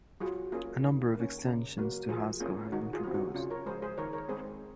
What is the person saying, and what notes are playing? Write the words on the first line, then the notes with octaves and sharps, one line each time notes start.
A number of extensions to Haskell have been proposed.
F#3 F4 G#4
A#3 C#4 F4 G#4
D#3
A#3
C#4
C#3
F#3 A#3
F3 F4 G#4
A#3 C#4 F4 G#4
D#3 D#4 F#4
F4 G#4
F#3 C4
D#4 F#4
C#3 C#4 F4
A#4 C#5
F3 G#3 G#4 C5
G#4 C5
D#3 A#4 C#5
A#4 C#5
G#3 C4 G#4 C5